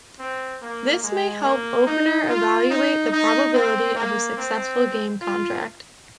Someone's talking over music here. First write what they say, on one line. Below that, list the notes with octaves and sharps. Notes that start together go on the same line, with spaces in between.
This may help opener evaluate the probability of a successful game contract.
C4
A#3
G#3
A#3
D#4
F4
D#4
D#4
C4
A#3
C4
F4